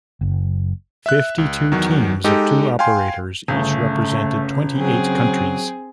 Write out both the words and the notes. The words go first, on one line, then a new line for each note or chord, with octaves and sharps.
Fifty-two teams of two operators each represented twenty-eight countries.
F#1
E5 F#6
C#2
E2 D#3 F#3
G#3 D#4 G4 A4
F5 G5 G#5 C6
G1 C#3 A3
F#3 C4 G#4